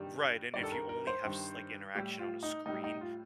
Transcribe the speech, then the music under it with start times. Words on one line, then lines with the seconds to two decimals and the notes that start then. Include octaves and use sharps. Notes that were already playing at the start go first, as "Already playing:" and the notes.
right, and if you only have s like, interaction on a screen,
Already playing: G2 D#3 G3
0.54 G2 D#3 G3 D5
0.63 A4
0.72 A#4
0.89 A#4
1.07 C5
1.25 G2 D#3 G3
1.95 A2 G3 G4
2.19 F4
2.43 D#4
2.66 A2 G3 D#4
2.84 D#4
3.01 F4